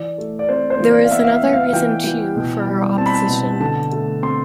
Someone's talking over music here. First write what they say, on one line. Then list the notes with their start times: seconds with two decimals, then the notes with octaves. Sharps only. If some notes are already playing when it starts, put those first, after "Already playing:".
There was another reason too for her opposition.
Already playing: E3 D5
0.18 A3
0.39 D5
0.49 C4 C5
0.70 C5
0.80 E3
0.90 D5
1.04 F5
1.11 B3 E5
1.24 F5
1.32 E5
1.43 B3
1.53 F5
1.66 F5
1.73 E3 G5
2.04 E3
2.36 B2
2.67 G3
2.98 C4 A5
3.06 B5
3.15 A5
3.29 B2
3.60 D3 A5
3.92 A3
4.23 C4 C6